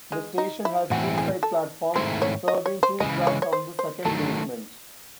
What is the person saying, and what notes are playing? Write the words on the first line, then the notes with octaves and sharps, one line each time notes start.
The station has two side platforms serving two tracks on the second basement.
G#3
D#4
E4
A2 E3 C4 F#4
G#4
A4
G#2 D#3 A3 C4 E4 C5
C#5
D#5
C#5
C5
C#3 E3 G#3 D#5
C#5
C#5
C5
C5
D#3 F#3 A3 A4